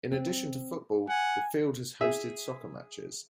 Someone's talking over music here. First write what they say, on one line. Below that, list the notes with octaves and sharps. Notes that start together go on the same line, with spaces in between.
In addition to football, the field has hosted soccer matches.
C4
F#5 G#5
G#4 E5